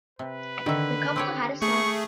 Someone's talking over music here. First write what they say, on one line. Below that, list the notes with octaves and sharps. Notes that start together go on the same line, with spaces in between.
The couple had a son.
C3 B4
D3 D#3 E5
C4 G4 C#5
A3 G#4 C#6